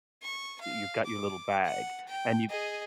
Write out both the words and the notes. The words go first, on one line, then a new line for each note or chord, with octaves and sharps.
you've got your little bag, and you
C#6
F5
D6
F#5
G5
G#4 D#5